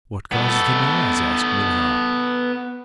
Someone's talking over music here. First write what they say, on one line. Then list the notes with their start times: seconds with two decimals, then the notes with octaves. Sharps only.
"What causes the noise?" asked Minha.
0.32 B3 A4